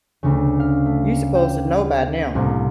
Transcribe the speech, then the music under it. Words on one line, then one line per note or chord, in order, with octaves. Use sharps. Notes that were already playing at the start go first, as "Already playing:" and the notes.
you supposed to know by now.
D2 C#3
F5
A3
G5
C2 A2 A#3